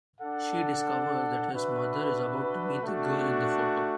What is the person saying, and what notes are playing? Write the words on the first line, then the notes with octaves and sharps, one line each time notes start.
She discovers that his mother is about to meet the girl in the photo.
D4 A4 F#5
D4 F#4 B4 E5
A3 D4 F#4